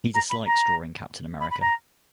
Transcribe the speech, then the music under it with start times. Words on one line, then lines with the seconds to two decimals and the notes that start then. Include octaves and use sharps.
He dislikes drawing Captain America.
0.14 A#5
0.29 B5
0.46 A#5
1.40 B5
1.50 B5
1.61 A#5